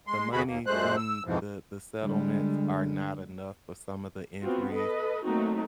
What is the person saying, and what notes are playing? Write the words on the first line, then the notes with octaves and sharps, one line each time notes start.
the money from the the settlements are not enough for some of the injuries
G#3 C6
E2 D3 B3 F#4 G#4 B5
D#2 A#3
F#2 A#2 G#3 A3 C5 F#6
E6
F2 G#2 B2 E3 F3
D3 G3 G#3
B3 C4 F4 F#4
A4 B4 D#5
F#3 A3 A#3 C4 D#4 F#4